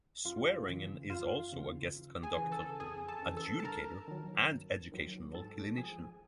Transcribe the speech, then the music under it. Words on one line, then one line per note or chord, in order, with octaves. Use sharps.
Swearingen is also a guest conductor, adjudicator and educational clinician.
F#2 F4 F5
C#3 E3
F#2 F4 F5
C#3 E3
F2
G#4 G#5
C#3 E3
A4 A5
F2 G#4 G#5
A4 A5
C#3 E3
A4 A5
A5
G2 A#4 A#5
D#3 F#3
G2
D#3 F#3
G#2 A4 A5
F3 G#4 G#5